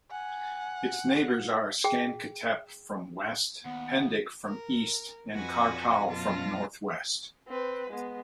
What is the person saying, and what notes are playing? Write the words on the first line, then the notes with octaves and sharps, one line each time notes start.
Its neighbours are Sancaktepe from west, Pendik from east and Kartal from northwest.
F#5 G#5
G#4 G5
D#2 B3 F#5
A#4
F2 F#4 B4 G#5 A#6
F#2 B2 F4 A5 A#6
C4 B4
G#3 B3